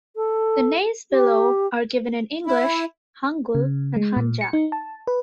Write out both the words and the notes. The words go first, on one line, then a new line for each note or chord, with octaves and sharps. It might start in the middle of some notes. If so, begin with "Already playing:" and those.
The names below are given in English, hangul, and hanja.
A4
G4
E4
C#3
G#3
A#2
C#7
D#4
A5
B4